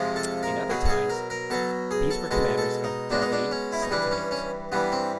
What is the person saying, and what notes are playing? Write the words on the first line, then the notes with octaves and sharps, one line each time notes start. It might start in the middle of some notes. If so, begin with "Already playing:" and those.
In other times, these were commanders of Delhi Sultanate.
Already playing: F2 C3 F3 G#3
A4
A#4
B2 F#3 G#4
A4
G#4
A#4
A#4
B2 F#3 A4
G#4
A4
B2 G#3 A4
A4
D#4
B2 G#3 D4
D#4
D4
C#4
E4
D#4
G2 E3 G3 D4
C#4
C#4
G2 E3 G3 B3
C4